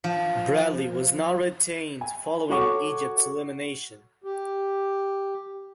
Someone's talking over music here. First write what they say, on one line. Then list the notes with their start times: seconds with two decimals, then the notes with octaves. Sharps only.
Bradley was not retained following Egypt's elimination.
0.04 F3
2.01 G#5
2.50 F#4 A4 C#5 F#5 C#6 D6
4.24 G4